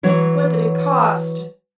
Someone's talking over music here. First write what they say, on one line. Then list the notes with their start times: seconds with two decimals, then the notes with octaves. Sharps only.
"What did it cost?"
0.03 E3 F#3 C#5